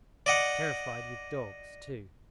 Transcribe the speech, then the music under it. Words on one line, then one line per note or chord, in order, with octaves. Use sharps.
Terrified with dogs too!
D5 D#5 F#5